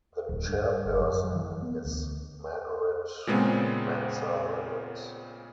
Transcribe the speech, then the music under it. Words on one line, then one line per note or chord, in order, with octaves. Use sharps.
The chairperson is Margaret Mensah-Williams.
D1
G2
G1
F#2
F#3
E3
B3
D2
A#2 C#3 G#3 B3 C4